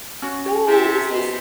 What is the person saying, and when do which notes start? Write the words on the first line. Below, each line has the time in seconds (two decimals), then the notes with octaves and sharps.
"Oh, this is"
0.22 C#4 F#4
0.67 C3 E4 E5 A5
1.09 B3 C5 D#5